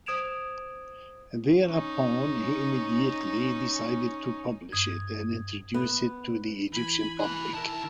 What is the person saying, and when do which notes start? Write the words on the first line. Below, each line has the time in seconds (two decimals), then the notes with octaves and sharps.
Thereupon, he immediately decided to publish it and introduce it to the Egyptian public.
0.06 C5 D#6 G#6 D7 E7 F7
1.66 C#4 D#4
4.72 G2 D#6 G#6
5.74 B3
6.72 E3 G#5 B5
7.20 G#4 B4 F#6
7.53 D#3 E4 A#4 A5